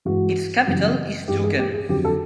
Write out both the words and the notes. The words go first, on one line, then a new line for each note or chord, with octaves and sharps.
Its capital is Tougan.
G2 E3 G#3 F#4
F#2 C#3 E3 G3
G2 E3 G#3 G4
G#4
G4
G#4
F2 D3 F#3 G4
A4